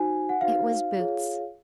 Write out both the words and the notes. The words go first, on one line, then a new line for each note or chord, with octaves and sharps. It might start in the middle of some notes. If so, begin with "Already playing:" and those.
It was Boots.
Already playing: D#4 F#4 C5 G#5
F#5
D#4 F#4 C5 F5
F4 G#4 C#5